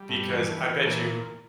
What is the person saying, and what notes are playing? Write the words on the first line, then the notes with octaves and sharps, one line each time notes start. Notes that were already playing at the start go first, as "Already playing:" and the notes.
Because, I bet you,
Already playing: G3
G2 A3
E3 A3
E3
E3
A#2 A3